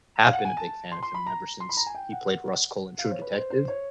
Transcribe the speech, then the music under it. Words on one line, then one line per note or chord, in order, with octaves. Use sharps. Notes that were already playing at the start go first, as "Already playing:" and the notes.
have been a big fan of him ever since he played Rust Cohle in True Detective,
F5
F#5
G#5
A5
C6
C6
B5
A#5
C6
B5
A#5
G#5
G5
F#5
F5
C5
C#5
B4
C5
C5
C#5